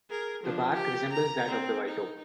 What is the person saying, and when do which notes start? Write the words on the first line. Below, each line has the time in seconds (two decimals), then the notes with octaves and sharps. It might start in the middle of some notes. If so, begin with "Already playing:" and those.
The bark resembles that of the white oak.
0.10 G#4 A#4
0.44 F3 D4
0.73 G4
1.13 A#5
1.48 C4
1.89 D#4